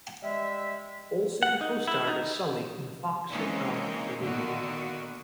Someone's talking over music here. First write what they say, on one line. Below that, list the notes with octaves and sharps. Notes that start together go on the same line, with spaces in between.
Olsen co-starred as Sully in the Fox sitcom "The Loop".
G3 G#3 E5
F#5
D#4
E4
D#4
E3 G#3 A#3 C4 C#4 D#4
A#2 D3 D#3 A#3 B3 F#4